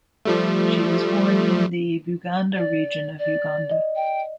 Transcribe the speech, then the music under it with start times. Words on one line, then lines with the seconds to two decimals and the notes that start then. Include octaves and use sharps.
She was born in the Buganda Region of Uganda.
0.25 F3 G3 A3
2.55 D5
3.19 D5
3.69 D5 D#5
3.96 G5